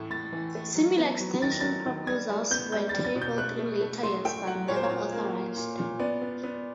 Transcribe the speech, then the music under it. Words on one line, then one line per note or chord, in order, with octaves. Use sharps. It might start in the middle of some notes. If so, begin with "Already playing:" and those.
Similar extension proposals were tabled in later years, but never authorised.
Already playing: A2 E3 A3
A2 A6
E3
A3
F#3
B3
F#3
D#3 A6
A#6
F#3 A6
D#3
G3 G#6
G3
B3 G6
G3 G6
A6
G3
A6
B2
G6
A3 F#6
A3
A3
A3 C6
A3 G5
F#3 F#5
A#2 C#5
C5
C#5
A#2
A#3
A#3
A#2
A#2
B3 D5
B3
B3